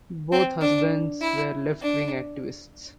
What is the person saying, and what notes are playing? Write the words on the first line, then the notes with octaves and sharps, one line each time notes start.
Both husbands were left wing activists.
C4
D4
E4
D4